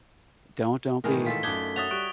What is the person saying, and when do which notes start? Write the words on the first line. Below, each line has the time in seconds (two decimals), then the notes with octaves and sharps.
Don't don't be
1.04 A2 D#3 E3 G#3 A#4
1.26 F4 A4 B6
1.43 F#2 A3 D4 D#4 G#6 G7
1.76 F#4 C#5 E5 D#6 A6 F7
1.91 G3 C#6 F#6 D7